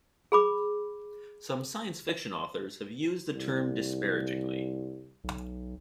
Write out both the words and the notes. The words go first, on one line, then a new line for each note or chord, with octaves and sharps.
Some science fiction authors have used the term disparagingly.
G#4 B5 D6
C2
B1